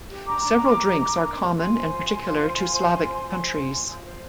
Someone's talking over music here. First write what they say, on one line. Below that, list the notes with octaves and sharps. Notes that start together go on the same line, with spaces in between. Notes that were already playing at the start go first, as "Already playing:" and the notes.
Several drinks are common and particular to Slavic countries.
G4
D4 A#5 D6
D4
A#4
G4
D4
D4
A#4
G4
F4 G#5 C6
C5
F4
C5
F4
C5
F4
C5
F4
C5
F4
C5
F4
C5
F4
C5